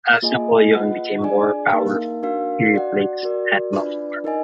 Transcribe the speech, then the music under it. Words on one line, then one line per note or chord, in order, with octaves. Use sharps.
As Napoleon became more powerful, he replaced Animal Farm!
A#3 F4 G#4 D#5 G#5
F4 B4 D#5 F#5
D4 G#4 D5 G#5
A#3 D#4 A#4 F5
D4 F#4 A#4 F5
F#4 D5 F#5
F#4 A#4 D5
D4 F4 B4 D5
D#4 A#4 D#5 G#5